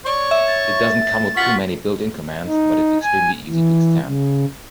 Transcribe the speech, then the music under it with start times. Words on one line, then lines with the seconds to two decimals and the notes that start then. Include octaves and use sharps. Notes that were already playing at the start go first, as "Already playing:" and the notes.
It doesn't come with too many built-in commands, but it's extremely easy to extend.
0.06 C#5 D5 C#6
0.31 E5
0.47 A6
1.37 F4 F#5 C#6 B6
2.46 D#4
3.03 G#5
3.48 E3
4.05 C#3